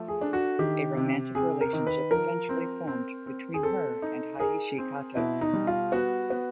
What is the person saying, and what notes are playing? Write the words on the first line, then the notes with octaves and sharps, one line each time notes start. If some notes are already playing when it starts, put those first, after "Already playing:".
A romantic relationship eventually formed between her and Hayashi Kato.
Already playing: F3 A3
G#4
D4
F#4
D#3 G4
C3
C3 G#4
A#4
D#3
B4
F3 A#4
C4
C4
C4
G#4
C4 A4
D#4
G#4 A#4
C4
B2 E4
D#4
G3
F4
B3 F#4
B3